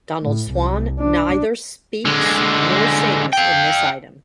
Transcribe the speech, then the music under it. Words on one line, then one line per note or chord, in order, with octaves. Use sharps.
Donald Swann neither speaks nor sings in this item.
A2
C2
D4
D3 G#3
F5 G5